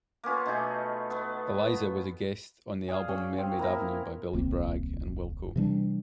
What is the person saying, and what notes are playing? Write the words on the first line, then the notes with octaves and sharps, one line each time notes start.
Eliza was a guest on the album "Mermaid Avenue" by Billy Bragg and Wilco.
A#3 B3 C#4 F4
B2 A3 D#4 G#4
B3
G#4 D5 F5
C#4
C4
A#3 E4 A#4
D#1 C2 A#3 C4
C3 E3 G3 D4